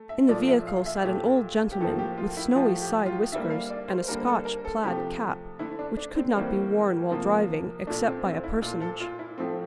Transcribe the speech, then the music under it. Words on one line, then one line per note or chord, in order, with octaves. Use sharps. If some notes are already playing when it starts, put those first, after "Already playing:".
In the vehicle sat an old gentleman with snowy side-whiskers and a Scotch plaid cap which could not be worn while driving except by a personage.
Already playing: A3
E5
A#2 F3 A3 D5
E5
F5
E5
A#2 A3 G4
G4
A2 F3 A#3 A4
G4
F4
E4
A2 F3 A3 F4
G4
F4
D3 G3 A#3 E5
F5
D5
C5
D3 G3 A#3 A#4
A4
A#4
A4
C3 F3 A3 G4
D3 A3 E4
D4
D4
C4
A2 E3 G3 A#3 C4
C3 F3 A#3
A#2 A3 D4
C4
C4
E4
A#2 A3 F4
A4
F4
E4
A2 F3 A3 C4